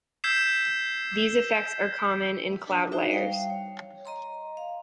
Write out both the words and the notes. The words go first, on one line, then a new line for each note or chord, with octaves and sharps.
These effects are common in cloud layers.
E6 G6 G#6 B6 C7 E7
D4 A5
D#4 F#4 C5 E5
G3 F5 G5
C#5
D#5 A#5 C6
F5